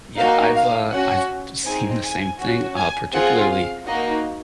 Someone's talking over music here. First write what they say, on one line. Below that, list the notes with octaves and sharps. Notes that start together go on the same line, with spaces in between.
Yeah, I've, uh I've seen the same thing, uh, particularly
A#3 D#4 F#4 F5
F5
C#4 F#4 F#5
C4 D#4 G#4 G#5
G#5
C#4 F#4
G#5
C4 F4 G#4 F#5
F5
A#3 D#4 F#4 D#5